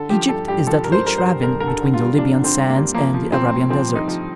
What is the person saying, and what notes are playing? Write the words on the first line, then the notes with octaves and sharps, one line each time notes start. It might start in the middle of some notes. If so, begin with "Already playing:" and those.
Egypt is that rich ravine between the Libyan sands and the Arabian desert.
Already playing: D3 A4
F3 G4
G2 A4
G2 G4
F3 A4
G2 A#4
C5
G2 A#4
C5
G2
G2 A#4
D3 A#4
A4
D3
F4
G2
F3 D4
D3
C4
G2
A#3
G2
F3 A#3
F3
F3 C4
A2
F3 C4
F3
D#4
F3